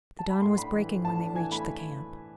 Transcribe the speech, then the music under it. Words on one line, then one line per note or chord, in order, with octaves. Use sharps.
The dawn was breaking when they reached the camp.
A5
B5
A2 C6
D4 B5
E3
A3
A2 A5
D4
E3 G#5
A3 B5